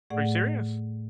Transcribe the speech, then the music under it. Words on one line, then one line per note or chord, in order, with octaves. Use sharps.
Are you serious?
A2 A3 G#4 D5 F#5